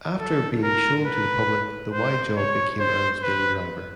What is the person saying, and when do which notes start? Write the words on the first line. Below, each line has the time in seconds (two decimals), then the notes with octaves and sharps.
After being shown to the public, the Y-job became Earl's daily driver.
0.19 A4
0.63 A#4
1.05 B4
1.92 C5
2.37 C#5
2.79 C5
3.22 B4